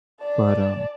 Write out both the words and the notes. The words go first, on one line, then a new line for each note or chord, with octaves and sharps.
But, um
D5 A5